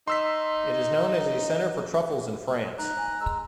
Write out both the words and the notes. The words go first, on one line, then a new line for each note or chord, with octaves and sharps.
It is known as a centre for truffles in France.
D#4 C6 E6 B6
D#4 A#5 F#6
G#5
G#3 A#5 E6